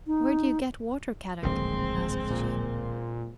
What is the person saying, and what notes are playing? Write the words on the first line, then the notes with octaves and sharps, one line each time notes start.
"Where do you get water, Kadok?" asked Jean.
D#4
D1 A#1 D#3 G#3 C4
A#2